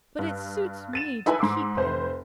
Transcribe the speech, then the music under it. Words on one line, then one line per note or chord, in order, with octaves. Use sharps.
But it suits me to keep him.
G2
A6 D#7 E7
D#4 E4 B4 G#5 A5 B5
G#2 C6 D6 E6
F1 B4 C5